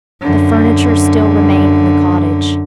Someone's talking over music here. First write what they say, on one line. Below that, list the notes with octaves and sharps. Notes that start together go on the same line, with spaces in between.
The furniture still remained in the cottage.
F#2 D3